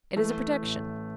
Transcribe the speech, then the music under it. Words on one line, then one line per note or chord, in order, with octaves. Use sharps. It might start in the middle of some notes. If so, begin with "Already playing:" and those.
It is a protection.
E3 A3
A1